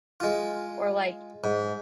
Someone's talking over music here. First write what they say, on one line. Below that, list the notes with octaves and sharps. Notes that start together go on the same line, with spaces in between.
or, like,
G#3 F4
G#2